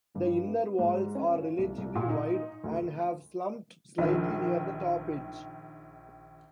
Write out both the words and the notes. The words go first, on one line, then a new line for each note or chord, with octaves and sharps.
The inner walls are relatively wide, and have slumped slightly near the top edge.
G2
B3
G#2
C#4
F4
C2
C2
A#2
D#4
D2
A#1 D#3